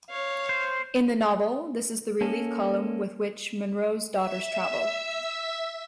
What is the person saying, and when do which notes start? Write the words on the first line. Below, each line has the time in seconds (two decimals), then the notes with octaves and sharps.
In the novel, this is the relief column with which Monro's daughters travel.
0.10 C#5 F5
0.49 C5
2.21 A#3 C#4 A4
4.15 E5 E6